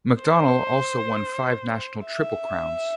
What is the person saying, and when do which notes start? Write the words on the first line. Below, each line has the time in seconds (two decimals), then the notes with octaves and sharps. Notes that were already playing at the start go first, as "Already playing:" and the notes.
McDonnell also won five national triple crowns.
0.22 C5
2.06 E5